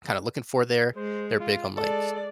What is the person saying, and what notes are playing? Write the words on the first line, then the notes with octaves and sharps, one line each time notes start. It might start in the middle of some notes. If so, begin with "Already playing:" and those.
kinda looking for there. They're big on, like,
G#3 C5
F4
G#3 A4 D5